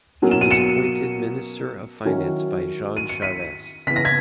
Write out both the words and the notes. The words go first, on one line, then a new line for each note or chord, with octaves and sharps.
He was appointed Minister of Finance by Jean Charest.
B2 F#3 A#3 C#4
E7
D#7
C#7 E7
D#3 F#3 C#4 E4
D#7
C#7
B6 D#7
C#3 E3 B3 B6
A#6
G#6 B6